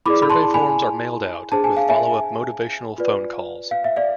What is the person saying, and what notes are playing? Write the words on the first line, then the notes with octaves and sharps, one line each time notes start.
Survey forms are mailed out, with follow-up motivational phone calls.
E4 G#4 D5 B5 D6
B5
A5 C6
G#5 B5
D4 G#4 C5 A5
G#5
F5
E5 G#5
F4 B4 D5
F5
E5
D5 F5